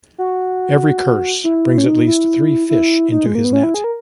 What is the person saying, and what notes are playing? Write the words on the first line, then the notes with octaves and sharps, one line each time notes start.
Every curse brings at least three fish into his net.
F#4
E4
C#4
D#4
E4
E4
D#4
G#3
A#3
B3
C#4
E4
G#4
A#4